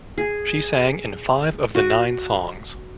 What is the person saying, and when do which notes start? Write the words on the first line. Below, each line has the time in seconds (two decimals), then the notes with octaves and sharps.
She sang in five of the nine songs.
0.18 G#4
1.75 F#4